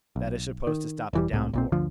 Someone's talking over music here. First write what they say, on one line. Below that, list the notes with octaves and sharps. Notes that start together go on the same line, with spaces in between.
That is supposed to stop the downpour.
B1
D#3
E1 E3 G3
C2 A2 C3
B1 A#2 C4
G1 D2 D3 F3